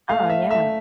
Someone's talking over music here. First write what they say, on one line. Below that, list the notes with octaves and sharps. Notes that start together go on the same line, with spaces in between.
Oh, yeah.
A3 F5
E5
A3 E5